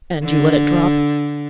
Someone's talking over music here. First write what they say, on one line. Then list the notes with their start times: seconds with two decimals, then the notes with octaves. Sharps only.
"And you let it drop?"
0.24 D3